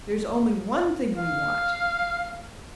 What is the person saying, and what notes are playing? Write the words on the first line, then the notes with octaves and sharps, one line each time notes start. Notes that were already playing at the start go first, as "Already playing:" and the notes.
"There's only one thing we want."
F5